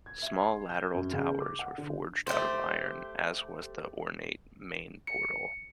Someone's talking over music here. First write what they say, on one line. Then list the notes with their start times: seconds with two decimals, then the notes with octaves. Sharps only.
Small lateral towers were forged out of iron, as was the ornate main portal.
0.06 G#6
0.23 E5
0.41 C6
0.69 G6
0.94 F#2
1.13 C#3
1.40 D6
1.59 F#5
1.78 D3
2.27 A3 G4 C5
5.07 C#7